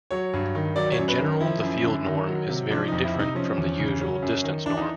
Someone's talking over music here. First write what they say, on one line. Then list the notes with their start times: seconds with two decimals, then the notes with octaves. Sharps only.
In general, the field norm is very different from the usual distance norm.
0.11 F#3 C#5
0.33 G2
0.55 D#3
0.76 F#3 D5
0.92 C#5
0.98 F#2
1.08 B4
1.19 D#3
1.25 A#4
1.40 F3 E4
1.63 F#2
1.84 D3
2.06 D#3
2.28 F#3
2.49 C3
2.70 F3 D4
2.88 F2 D#4
3.04 E4
3.15 C3 D#4
3.35 F3 C#4
3.57 E2
3.79 C#3
4.00 F#3 C#4
4.22 F#2
4.44 D#3
4.66 E3 D4
4.77 D#4